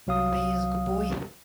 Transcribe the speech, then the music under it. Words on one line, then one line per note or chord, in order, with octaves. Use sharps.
Abhay is a good boy.
C2 F#3 F5 D#6